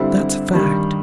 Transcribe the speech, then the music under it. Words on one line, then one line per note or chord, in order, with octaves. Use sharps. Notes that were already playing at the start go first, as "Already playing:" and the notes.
That's a fact!
Already playing: G2 D3 G3 C4 E4
G2 D#3 G3